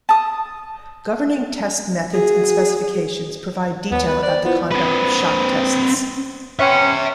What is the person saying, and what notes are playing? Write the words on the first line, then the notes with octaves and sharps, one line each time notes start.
Governing test methods and specifications provide detail about the conduct of shock tests.
A5 D#6
F#4 G#4
D#2 B3 C#5
B4 F#5 A6
C5 D5 F#6
B3 E4 F4 C5
C4 B4
B3 C#4 E5 G5